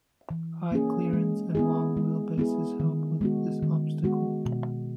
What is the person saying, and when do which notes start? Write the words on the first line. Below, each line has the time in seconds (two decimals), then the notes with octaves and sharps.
High clearance and long wheelbases help with this obstacle.
0.30 E3
0.72 A#3 C#4 G#4
1.13 G#3
1.55 B3 E4 G#4
1.97 G#3
2.38 B3 E4 G#4
2.80 D#3
3.21 G#3 B3 F#4
3.63 D#3
4.04 G#3 B3 F#4
4.45 B2